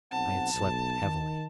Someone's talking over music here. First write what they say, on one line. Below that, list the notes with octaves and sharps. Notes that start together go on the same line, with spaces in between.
I had slept heavily.
B1 C4 F#5 A5
B1
D#3